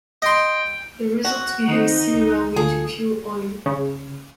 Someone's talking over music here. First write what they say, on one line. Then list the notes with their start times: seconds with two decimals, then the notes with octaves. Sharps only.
The result behaves similarly to fuel oil.
0.22 D#5 G5 C6
1.25 F#4
1.68 D#3 C4 D#4
2.14 C#2
2.56 D2 F4 G#4 A4
3.66 C#3